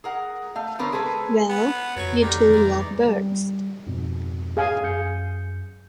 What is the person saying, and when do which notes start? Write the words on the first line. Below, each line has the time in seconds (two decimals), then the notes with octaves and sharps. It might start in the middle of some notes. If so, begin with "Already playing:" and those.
Well, you two love birds.
0.04 G#4 A#4 F#5
0.55 A3 F5
0.79 D3 B3 A#4 C5 C#5
0.92 G#3 G#4 A4 B4 C5
1.49 B3
1.96 F2 F#3 B4 C#6
2.22 A1 D2 D#3 G4 D5 A#5
2.54 E3 G#3
3.08 G3
3.87 F2 G#2 B2
4.57 G#4 F5 G#5
4.83 F#2 G6 C#7